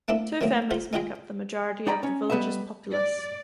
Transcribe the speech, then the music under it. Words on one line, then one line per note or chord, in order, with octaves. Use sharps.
Two families make up the majority of the villages populace.
A3 A#3 C4 D4 E4 A4
D#3 F#3 A3 A#3 C4
F4 F#4 C5 F5
G#3 D#4 F4 F#4 D#5 G5
D#4 D5 G5 A#5 B5
C#4 C#5
G3 B3 B4 D#5 E5
D5